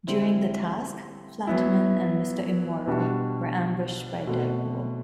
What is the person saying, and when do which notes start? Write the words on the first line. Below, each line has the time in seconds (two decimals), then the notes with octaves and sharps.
During the task, Flatman and Mr. Immortal were ambushed by Deadpool.
0.07 D3 G3 C4 E4
1.47 F#3 B3 E4
2.87 B2 G3 D4 F#4
4.27 B2 A3 C4 F#4